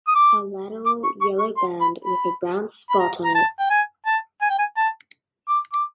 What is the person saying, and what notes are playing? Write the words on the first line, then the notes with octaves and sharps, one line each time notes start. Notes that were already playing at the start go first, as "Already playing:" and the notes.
A lateral yellow band with a brown spot on it.
D#6
D6
D6
C#6
C#6
C#6
C6
B5
B5
B5
A#5
A#5
A5
G5
G#5
A5
G#5
G5
G#5
A5
D6
D6